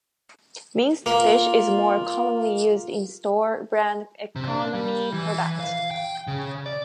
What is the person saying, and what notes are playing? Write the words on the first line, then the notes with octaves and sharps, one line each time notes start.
Minced fish is more commonly used in store brand economy products.
A#3 F4
C3
D4
G3
E3
F5
G5
C#3
D5